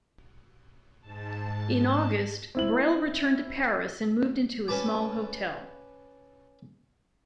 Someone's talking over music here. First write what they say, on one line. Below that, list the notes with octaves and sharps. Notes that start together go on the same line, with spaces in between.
In August, Brel returned to Paris and moved into a small hotel.
G#2 A5
C4 E4 F#7
C#4 B4 A5 D6